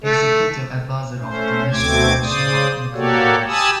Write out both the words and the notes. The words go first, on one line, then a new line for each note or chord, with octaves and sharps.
Executive Advisor of the National Commission of Nuclear Energy.
A3
A3 C#4 C5
D2 B2 A3 C4 D6 G#6
C#3 C5 D5 D#6
A#3 F#4 G4 A4 C#5 D5
G4 G#5 A5 B5 D#6 E6